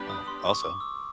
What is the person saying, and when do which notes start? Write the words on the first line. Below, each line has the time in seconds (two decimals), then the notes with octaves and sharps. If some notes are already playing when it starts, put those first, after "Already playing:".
Oh, also
Already playing: G3 B3 D4 G4 B4
0.10 D#6
0.28 C6
0.45 C#6
0.63 D6
0.80 E6